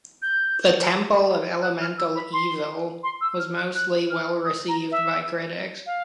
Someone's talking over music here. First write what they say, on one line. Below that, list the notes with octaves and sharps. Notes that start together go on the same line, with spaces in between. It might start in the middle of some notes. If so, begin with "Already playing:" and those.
"The Temple of Elemental Evil" was mostly well received by critics.
G6
F#6
F6
E6
B5
C6
C6
E6
F6
F#6
F#6
F6
D#6
A#5
E5
F5